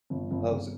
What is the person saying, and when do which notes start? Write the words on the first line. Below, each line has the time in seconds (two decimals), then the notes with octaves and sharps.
Oh, so
0.10 G1
0.31 G1
0.50 G1